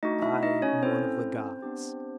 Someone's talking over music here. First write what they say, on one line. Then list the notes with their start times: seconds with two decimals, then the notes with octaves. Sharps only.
I am one of the gods.
0.03 A3 D4 D#4 F#4 D#5
0.22 E4 E5
0.43 D#4 D#5
0.62 C#4 C#5
0.82 C4 C#4 E4 A4 C5
1.62 B3 D4 G4